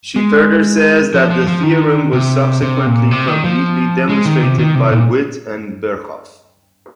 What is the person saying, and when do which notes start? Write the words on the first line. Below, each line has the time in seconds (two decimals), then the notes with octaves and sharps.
She further says that the theorem was subsequently completely demonstrated by Witt and Birkhoff.
0.16 G#3
1.14 F3
1.30 F3
1.47 F3
1.63 D#3
2.13 C3
2.62 C3
2.86 A#2
3.11 C3
3.28 D#3
3.44 F3
4.09 G#3
4.25 D#3
4.43 C3
4.59 D#3
4.75 C3
4.92 A#2